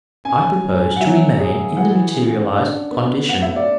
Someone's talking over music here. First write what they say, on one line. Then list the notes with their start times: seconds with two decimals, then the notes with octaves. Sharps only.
'I propose to remain in the materialized condition.'
0.25 C#4 G#5
0.64 F#3
0.96 F#5
1.01 F#3 E5
1.40 G#4
1.77 E3 F#5
2.16 C#3
2.53 D4
2.91 B3
3.29 A3 F#5
3.42 E5
3.56 D5